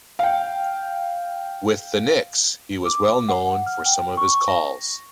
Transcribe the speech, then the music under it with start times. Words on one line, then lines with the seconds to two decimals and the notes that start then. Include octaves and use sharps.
With the Knicks, he was well known for some of his calls.
0.19 F5 G5
2.86 D6
3.29 F#5
3.66 F6
3.86 G5
4.17 C#6
4.48 A#6